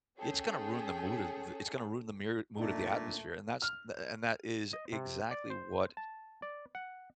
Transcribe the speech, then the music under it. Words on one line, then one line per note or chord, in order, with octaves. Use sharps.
it's gonna ruin the mood of the it's gonna ruin the mere mood of the atmosphere, and that's th th and that is exactly what
C#4 G#4 A4 G5
A#2 A3 C4 D4 D#4
F6
D#5
C3
D5
C5
A5
D5
F#5